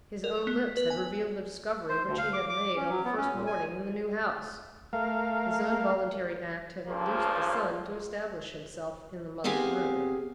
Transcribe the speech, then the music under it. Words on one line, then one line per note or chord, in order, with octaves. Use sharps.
His own lips had revealed the discovery which he had made on the first morning in the new house; his own voluntary act had induced the son to establish himself in the mother's room.
A#4
B3
B4
G#5
C5
D2
F5
D6
D6
C#4
F#3
B3
C#4
A#2
G#5
A3 A#4 F5
G2 C#3 F3 A#3 C5
B3 C4 G4 G#4 F5 G#5